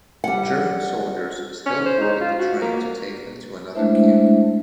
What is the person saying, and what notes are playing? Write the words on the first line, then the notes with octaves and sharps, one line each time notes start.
German soldiers still boarded the train to take them to another camp.
G3 F#5
C#4
C5
D#4
F4
F#4
A#3
G#3 A3 D4 E4 C5 E5